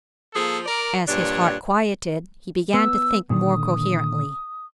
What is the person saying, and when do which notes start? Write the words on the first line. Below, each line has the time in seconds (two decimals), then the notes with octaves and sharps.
As his heart quieted he began to think more coherently.
0.34 F3 A#3 G#4 A4
0.66 A#4 D5
1.08 G2 A#2 D4 C#5
2.74 B3 E6
3.30 A#2 D3 D#3 D#6